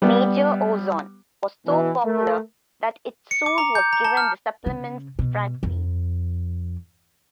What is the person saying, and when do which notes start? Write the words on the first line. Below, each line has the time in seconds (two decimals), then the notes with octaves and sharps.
"Major Ozone" was so popular that it soon was given the supplement's front page.
0.02 G3 B3
1.66 B2 E3
2.05 A3 A#4
3.31 C#7
3.46 D6
3.58 A#5
3.75 G6
3.93 A#5
4.04 A5
4.17 F6
4.66 C#3
5.19 B2
5.63 F2